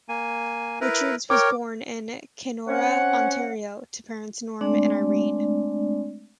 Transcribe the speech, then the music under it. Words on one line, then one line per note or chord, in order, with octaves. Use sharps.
Richards was born in Kenora, Ontario, to parents Norm and Irene.
A#3 G#5
E4 A#4 B4
A#4 C#5 G5 D6
C4 C#4 C#5 F#5
G#3 A3 C4 D4 D5